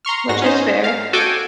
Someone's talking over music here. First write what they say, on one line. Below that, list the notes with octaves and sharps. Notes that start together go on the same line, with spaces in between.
which is fair.
A#5 C6 C#6 F6
G#2 F#4 A#6
C#4 D#4 C5
F5
F#4 A4 G5 G#5 D6